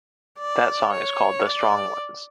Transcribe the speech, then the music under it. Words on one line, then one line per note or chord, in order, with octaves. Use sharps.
That song is called "The Strong Ones".
D5
C#5
D5